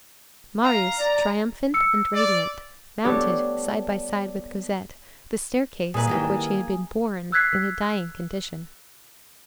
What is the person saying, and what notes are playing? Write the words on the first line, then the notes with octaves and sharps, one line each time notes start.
Marius, triumphant and radiant, mounted side by side with Cosette the staircase up which he had been borne in a dying condition.
F5 A#5
D5
E6 C#7
D5
G3 B3 G4 A4 C#5 D5
A#2 A#3 G#4 B4
D#3 E3 G3
E6 F#6 G#6 B6 C7